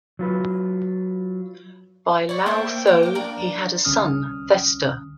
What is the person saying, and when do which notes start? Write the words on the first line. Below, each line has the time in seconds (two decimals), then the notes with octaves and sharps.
By Laothoe he had a son Thestor.
0.19 F#3 F4 B4
2.29 E4 C#5 D5 C#6
2.46 A#3 G4 C5 E5 G5 A5
2.87 D6
3.03 F4 A#4
3.15 D4 A#4 D5
3.85 C2 D3 C#4 D#6 F6